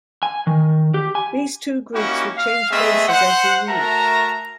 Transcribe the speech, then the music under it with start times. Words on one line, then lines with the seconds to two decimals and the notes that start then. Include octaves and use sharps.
These two groups would change places every week.
0.23 G#5
0.47 D#3
0.94 G4
1.15 G#5
1.95 A#3 C#4 D#4 E4 F#4 G4
2.37 F5
2.72 A3 B3 C4 G#4 D#5 E5
3.09 C5 F#5
3.69 A3 F#4 A#4 E5 A5 A#5